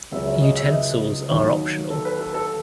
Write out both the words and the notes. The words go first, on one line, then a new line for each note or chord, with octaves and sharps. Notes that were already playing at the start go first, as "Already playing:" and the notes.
Utensils are optional.
C#2 C#3 F#3 E5
C#5
D#5
E5
D#5
D#2 D#3 F#3
A4
B4
A4
A4